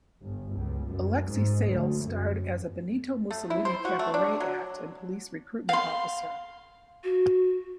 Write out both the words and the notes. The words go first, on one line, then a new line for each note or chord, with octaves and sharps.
Alexei Sayle starred as a Benito Mussolini cabaret act and police recruitment officer.
G1
C#2
F#2
G#2
D2
F#2
A3
E4
C5
F#4
A3
D4
F#3
F5 C6
F#4